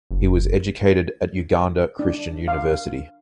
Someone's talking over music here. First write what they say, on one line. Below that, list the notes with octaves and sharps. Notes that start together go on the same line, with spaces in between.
He was educated at Uganda Christian University.
F#1
D4
F5